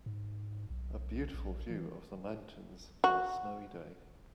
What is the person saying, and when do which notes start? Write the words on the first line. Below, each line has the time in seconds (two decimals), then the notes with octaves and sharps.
A beautiful view of the mountains on a snowy day.
0.06 G#2
0.70 B1
1.34 A#1
1.70 E3
3.04 F#4